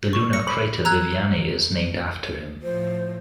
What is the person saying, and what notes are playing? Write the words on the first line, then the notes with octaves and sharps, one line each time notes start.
The lunar crater Viviani is named after him.
C#6
A#6 C#7
B5
A#5 E6 F#6 G#6
A2 F3 C5